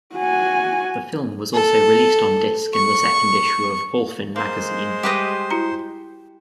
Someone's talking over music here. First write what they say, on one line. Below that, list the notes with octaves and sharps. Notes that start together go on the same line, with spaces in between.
The film was also released on disk in the second issue of "Wholphin Magazine".
F#4 G#5
A4
C#6
G#3 A#3 C5
G3 G4 B4 D#5
E4 F#4 A#5